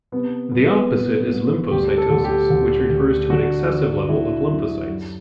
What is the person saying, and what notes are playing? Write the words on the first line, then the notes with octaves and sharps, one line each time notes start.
The opposite is lymphocytosis, which refers to an excessive level of lymphocytes.
C3 B3
C2 B3
B3
C2
C2
D2 G4
A4
D2
G4
D2
D2
D3 F#4
D3
D3 E4
F#2
F#2